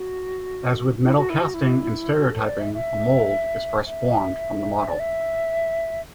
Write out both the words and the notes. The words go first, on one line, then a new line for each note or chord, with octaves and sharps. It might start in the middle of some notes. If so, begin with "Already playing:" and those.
As with metal casting and stereotyping, a mold is first formed from the model.
Already playing: F#4
E4
F#4
E4
F#4
E4
F#4
A4
B4
D5
E5
E5
E5
D5
E5